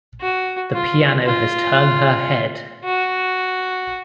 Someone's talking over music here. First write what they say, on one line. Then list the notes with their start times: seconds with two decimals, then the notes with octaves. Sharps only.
The piano has turned her head!
0.21 F#4
0.73 F4
1.26 F4
2.84 F#4